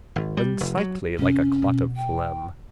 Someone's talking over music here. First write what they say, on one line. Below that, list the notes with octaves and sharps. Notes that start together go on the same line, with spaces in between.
Unsightly like a clot of phlegm.
G#1
G3
F1
F#3
F1 C3 C#4
B2
G5